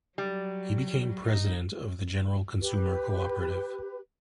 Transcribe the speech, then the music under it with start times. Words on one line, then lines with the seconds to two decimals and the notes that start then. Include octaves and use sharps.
He became President of the General Consumer Cooperative.
0.18 F#3 G3
1.24 D#4
2.61 G4 B4